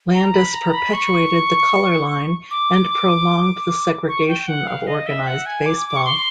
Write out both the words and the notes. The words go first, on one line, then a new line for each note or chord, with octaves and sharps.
Landis perpetuated the color line and prolonged the segregation of organized baseball.
A#5
B5
A#5
B5
C#6
D6
C#6
G5
F#5
F5
D#5
E5
F#5
G#5
D6
D6
C#6
C6